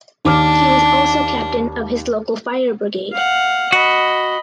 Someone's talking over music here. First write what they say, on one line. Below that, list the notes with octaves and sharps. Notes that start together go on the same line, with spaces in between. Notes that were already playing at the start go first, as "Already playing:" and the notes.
He was also Captain of his local Fire Brigade.
D#2 D4 D6 F6
F5 F#5
F#4 D#5 B5